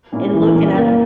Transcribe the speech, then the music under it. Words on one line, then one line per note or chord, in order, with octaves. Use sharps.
and looking at
A#2 A#3 C#4 E4
B1 E3
A#2 A#3 C#4 E4
F#1 A#3